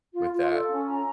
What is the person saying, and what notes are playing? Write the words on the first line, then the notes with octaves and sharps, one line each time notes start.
with that.
F4
F4
A4
C#4
A#5